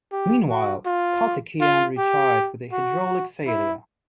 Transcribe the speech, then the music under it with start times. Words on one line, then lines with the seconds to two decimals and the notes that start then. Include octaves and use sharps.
Meanwhile, Karthikeyan retired with a hydraulic failure.
0.12 G4
0.49 F#4
0.86 F4
1.61 F4
1.98 G4
2.72 F#4
3.47 E4